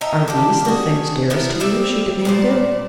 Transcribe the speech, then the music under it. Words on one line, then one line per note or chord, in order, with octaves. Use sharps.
"Are these the things dearest to you?" she demanded.
D#5 E5 G5 A#5
A#3 D4 G4
F#4 G#4
E3 B3 E4 A#4
G3 C4 E5
A#2 C5 D5